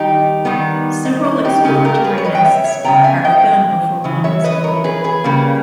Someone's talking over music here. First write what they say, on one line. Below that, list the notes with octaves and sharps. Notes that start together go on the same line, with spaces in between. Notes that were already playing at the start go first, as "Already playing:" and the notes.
Several exploratory nests are begun before one is completed.
Already playing: D#3 G3 D#4 G4
D#3 G3 B3
D#4
E4
D#4 G4
C#3 G#3 C#4 D#4 G4
G4 A#4
G#4 B4
C#5
B4 D#5
G5
C#5 E5
C#5 E5
C#3 G3 B3 G5 A#5
E5 G#5
D#5 G5
C#3 E3
C#5 E5
B4 D#5
A#4 C#5
G#4 B4
G#4 B4
C#3 G3 A#3